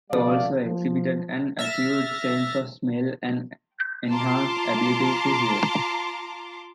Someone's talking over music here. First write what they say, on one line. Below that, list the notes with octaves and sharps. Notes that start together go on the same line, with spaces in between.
They also exhibited an acute sense of smell and an enhanced ability to hear.
C#3 F3 G3 A3 D5 F5
F3
E5 F6 A6 A#6
F4 A5 A#5 C6 D6